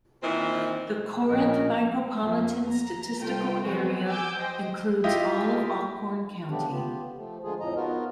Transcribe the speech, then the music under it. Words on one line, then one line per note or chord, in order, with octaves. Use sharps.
The Corinth Micropolitan Statistical Area includes all of Alcorn County.
A#2 D#3 E3 C4
A#1 C#4 A#4 D#5
F2 A#3
A#5
C2 A3 F4 G5
F3 F#3 G#3 B3 C4 F#4
G#5 D6 E6 G6
C5 D#5 G5
E4 F4 G4 D#5 E5
C#3 A3 B3 D4 G4
B3 F4 G4
F3 A3
D3 F3 G#3 F4 G#4
F2 A2 F3 D#5 A#5
B3 D#4 F4 F#4 A#4